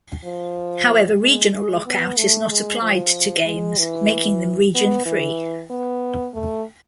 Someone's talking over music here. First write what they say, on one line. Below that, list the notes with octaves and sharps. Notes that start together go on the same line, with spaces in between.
However regional lockout is not applied to games, making them region-free.
F3
G#3
G#3
B3
A3
G#3
F3
G#3
E3
B3
E3
B3
A3